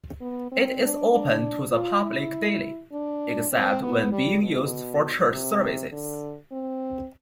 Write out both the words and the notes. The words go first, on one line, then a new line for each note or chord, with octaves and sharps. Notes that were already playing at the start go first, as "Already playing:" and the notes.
It is open to the public daily, except when being used for church services.
B3
C4
D4
D4
F4
E4
D4
C4
B3
G3
B2
C3
D3
C4